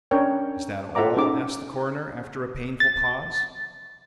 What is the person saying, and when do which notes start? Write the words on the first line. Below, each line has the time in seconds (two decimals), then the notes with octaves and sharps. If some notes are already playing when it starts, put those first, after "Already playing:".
"Is that all?" asked the coroner, after a painful pause.
0.11 C#4 D4 A#4 C#5 G5
0.95 F4 A4 E5 F#5 A#5 D6
1.17 C#4 D#4 G#4 D6
2.80 A6